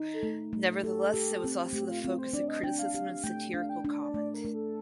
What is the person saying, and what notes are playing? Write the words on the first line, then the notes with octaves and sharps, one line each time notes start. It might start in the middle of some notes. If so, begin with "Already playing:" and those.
Nevertheless it was also the focus of criticism and satirical comment.
Already playing: D#4
A4
A3
A3
G4 A4
G4
C4
A3 G4
F4
C4 F4
C5
D4 D5
D#5
D4 G5
F5
G4 F5
F5
A3 G5
D4 F5
G5
D4
D5
A3 D5
A#4
A3
A4